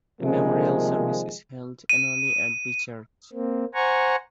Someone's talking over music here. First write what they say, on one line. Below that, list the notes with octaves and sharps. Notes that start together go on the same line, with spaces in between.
A memorial service is held annually at the church.
C3 D#3 F3 G3 G#3 A#3
D#7
A#3 C4
C5 F#5 G#5 A#5 C#6